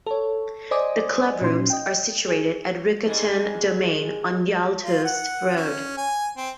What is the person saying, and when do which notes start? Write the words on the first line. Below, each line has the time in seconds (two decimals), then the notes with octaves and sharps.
The club rooms are situated at Riccarton Domain on Yaldhurst Road.
0.06 A4 C#5
0.71 C5 D5 D#5 G#5 D6 D#6
1.41 A#2 C#4 D#4 C6
1.70 D#5 G5
2.28 G#4
3.05 G#2 G3 G#3
4.85 F4
5.04 F#5
5.56 C#4
5.97 G#5
6.37 C4